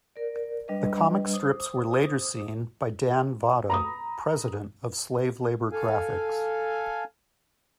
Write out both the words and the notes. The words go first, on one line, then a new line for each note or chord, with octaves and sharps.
The comic strips were later seen by Dan Vado, president of Slave Labor Graphics.
A#4 D5
G3 D4 B4 D#5
C5 D6 D#6
A#5 B5 D#6
A4 F5 G#5